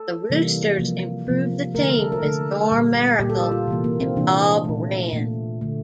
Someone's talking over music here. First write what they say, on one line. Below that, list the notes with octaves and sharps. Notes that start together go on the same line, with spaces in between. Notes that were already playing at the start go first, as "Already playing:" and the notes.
The Roosters improved the team with Norm Maracle and Bob Wren.
Already playing: A4
C3 E3 G3 A#3
C3 F3 A#3
C3 F3 A#3
D3 A3 A#4
A4
A#4
D3 A3 A4
A#2 G3 A#3
A#2 G3 A#3 G4
A4
G4
F4
C3 E3 A#3
A#3
C4
C3 E3 A#3 D4
A#2 A3
A#2 A3
D3 A3